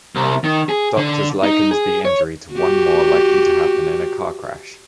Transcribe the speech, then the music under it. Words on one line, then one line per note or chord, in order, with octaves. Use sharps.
Doctors likened the injury to one more likely to happen in a car crash.
C2
D#3
G#4
D3
D#4
G#4
C#5
F#4 G4